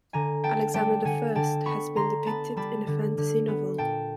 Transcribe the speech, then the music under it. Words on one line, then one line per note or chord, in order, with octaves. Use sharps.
Alexander the First has been depicted in a fantasy novel.
D3 G#5 A#5
B3 G5 A5
G3 G5 A5
D3 F#5 G#5
D3 G5 A5
B3 B5 C#6
D3 A#5 C6
B3 A5 B5
G3 A5 B5
D3
D3
B3
A#2 G5 A5